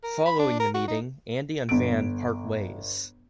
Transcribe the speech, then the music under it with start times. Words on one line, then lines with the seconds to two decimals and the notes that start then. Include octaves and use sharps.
Following the meeting, Andy and Vann part ways.
0.04 A#4
0.26 B5
0.39 D4
0.60 A#4
0.74 F#4
0.88 D#4
1.69 G1 D7